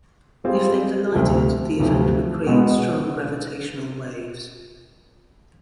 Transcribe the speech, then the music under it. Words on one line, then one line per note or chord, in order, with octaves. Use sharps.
If they collided, the event would create strong gravitational waves.
G3 C4 F4 G#4
D2 C3 F3
D2 C3 F3
B2 G#3 B3